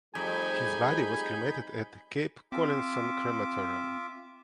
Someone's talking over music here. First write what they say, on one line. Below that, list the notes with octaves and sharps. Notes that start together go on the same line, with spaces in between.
His body was cremated at Cape Collinson Crematorium.
F2 G3 A3 D#4 G#4 G#5 B5 G6
C4 F4 E5 D6